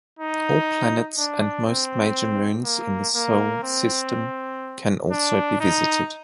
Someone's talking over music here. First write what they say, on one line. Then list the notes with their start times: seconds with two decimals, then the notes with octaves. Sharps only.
All planets and most major moons in the Sol system can also be visited.
0.19 D#4
1.18 D4
1.66 C4
2.65 A#3
3.15 A#3
3.63 C4
5.11 D4
5.60 D#4